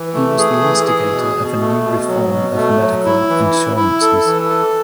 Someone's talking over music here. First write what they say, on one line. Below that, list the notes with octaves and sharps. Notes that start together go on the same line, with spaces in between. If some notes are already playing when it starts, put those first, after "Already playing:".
He was the instigator of a new reform of medical insurances.
Already playing: E3
A3
G#4
E3
G#4
B2
B2
A3
B2
F#3
B2
A3
F#3
E4
E3
E4
E4
A4
E3
A4